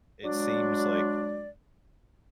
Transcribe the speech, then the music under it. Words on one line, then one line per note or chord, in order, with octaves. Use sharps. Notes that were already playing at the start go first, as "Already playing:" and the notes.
it seems like
F#3 G#3 D4 D5